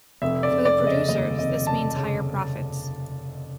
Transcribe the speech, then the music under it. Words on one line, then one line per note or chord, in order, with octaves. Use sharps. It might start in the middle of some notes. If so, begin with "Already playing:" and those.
For the producers, this means higher profits.
F1 E5
D5
F1
D5
C#3
D#5
D#2 D#5
F1 D#5
F1 A5
C#3